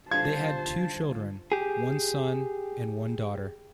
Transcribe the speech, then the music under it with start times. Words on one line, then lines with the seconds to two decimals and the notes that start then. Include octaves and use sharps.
They had two children, one son and one daughter.
0.11 D3 G3 F4 C5 A5 G#6
1.52 G4 G#4